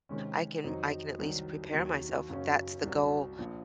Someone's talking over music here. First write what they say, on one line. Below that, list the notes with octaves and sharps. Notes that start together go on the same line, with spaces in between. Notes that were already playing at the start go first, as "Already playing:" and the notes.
I can I can at least prepare myself if that's the goal
C3 D#3 G#3 C#4
F2 D#3 F#3 C4 D#4
C2 C3 D#3 F#3
D#2 D#3 F#3
F#1 F#2 C#3 F#3 C#4
C2 C3 F#3 C#4 F#4
A#1 A#2 F3